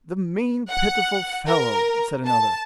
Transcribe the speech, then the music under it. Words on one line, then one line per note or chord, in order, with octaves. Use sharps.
"The mean, pitiful fellow!" said another.
F#5
A#4
A5